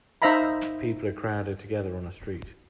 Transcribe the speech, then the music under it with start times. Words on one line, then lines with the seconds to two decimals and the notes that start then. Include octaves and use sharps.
People are crowded together on a street.
0.22 D#4 C5 E5 F5 A#5 B5